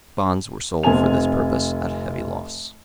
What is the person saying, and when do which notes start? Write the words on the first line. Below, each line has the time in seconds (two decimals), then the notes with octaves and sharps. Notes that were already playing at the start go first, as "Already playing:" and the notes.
Bonds were sold for this purpose at a heavy loss.
0.83 F1 C4 G#5 F7